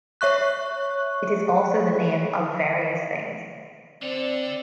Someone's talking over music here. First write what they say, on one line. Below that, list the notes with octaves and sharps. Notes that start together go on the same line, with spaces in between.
It is also the name of various things.
C#5 E5 C#6 F#6
D3 C4 A4 D5